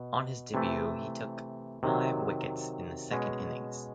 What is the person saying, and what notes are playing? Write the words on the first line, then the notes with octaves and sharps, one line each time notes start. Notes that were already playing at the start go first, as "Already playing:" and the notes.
On his debut, he took five wickets in the second innings.
Already playing: B2
C3 E3 A3
C3 D#3 F#3
B2 G#3 C#4